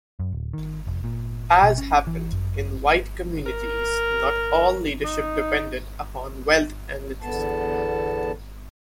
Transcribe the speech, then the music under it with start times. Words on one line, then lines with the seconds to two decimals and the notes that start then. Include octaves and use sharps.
As happened in white communities, not all leadership depended upon wealth and literacy.
0.20 F#2
0.32 D1
0.53 D#3
0.87 F1
1.04 A#2
1.63 B2
1.78 C#4
2.07 E3
2.32 F#2
3.46 A#4
5.04 D#4
7.22 E2 D3 B3 A5